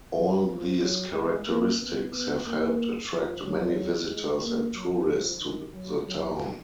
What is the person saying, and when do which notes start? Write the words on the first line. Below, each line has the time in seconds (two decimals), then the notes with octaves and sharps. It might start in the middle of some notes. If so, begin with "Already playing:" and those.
All these characteristics have helped attract many visitors and tourists to the town.
0.16 F#3
0.48 F3
0.82 F#3
1.14 G#3
1.47 A#3
1.81 B3
2.12 B3
2.45 A#3
3.12 F3
3.44 F#3
4.10 G#3
4.43 A#3
4.75 F#3
5.08 F3
5.40 D#3
5.74 F#3
6.06 F#3